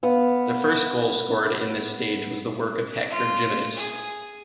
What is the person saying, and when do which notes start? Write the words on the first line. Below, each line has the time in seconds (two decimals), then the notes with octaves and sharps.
The first goal scored in this stage was the work of Hector Gimenez.
0.03 B3 F5
3.10 F4
3.77 G#4